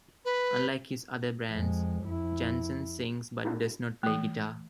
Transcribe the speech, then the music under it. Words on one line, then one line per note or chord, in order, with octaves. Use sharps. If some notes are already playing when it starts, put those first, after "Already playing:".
Unlike his other bands, Jansen sings but does not play guitar.
B4
F2 G#3
F2 E4
E3 A3